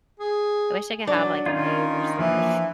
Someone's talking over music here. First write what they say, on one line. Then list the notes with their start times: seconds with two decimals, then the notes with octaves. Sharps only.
I wish I could have, like, a maid or something.
0.20 G#4
1.07 F#3 D4
1.46 D#3 C#4 D#4 F4
2.19 E3 F3 A#3